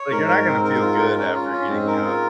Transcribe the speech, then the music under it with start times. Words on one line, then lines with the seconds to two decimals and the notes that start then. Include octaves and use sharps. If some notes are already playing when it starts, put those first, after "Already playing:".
like, you're not gonna feel good after eating, you know, a
Already playing: C#5
0.12 G#2 A#4
0.28 A#4
0.47 C4
0.64 A#4
0.82 F4
0.99 A#4
1.16 C#4
1.34 F4
1.52 C#4
1.69 G#2 C4
1.87 A#4
2.05 F4